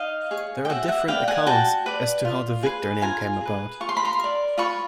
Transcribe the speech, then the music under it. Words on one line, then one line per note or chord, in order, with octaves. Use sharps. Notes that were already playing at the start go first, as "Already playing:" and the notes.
There are different accounts as to how the "Victor" name came about.
Already playing: D#4 D#5 F5
G#4 C#5
G5
F#4 E5 F#5
E5 F#5
B4 D5 F5 G5
F#5 G#5
F#4 G5 A5
B4 D5
F4
G#4 B4
F4 G#5 A#5
G#4 B4
F4 C#6
C6
B5
A#5 C6
A#4 D5
F4 B5 C#6